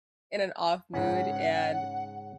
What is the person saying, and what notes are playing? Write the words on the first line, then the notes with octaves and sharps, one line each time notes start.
in an off-mood, and
G#2 C#3 C#4 F#5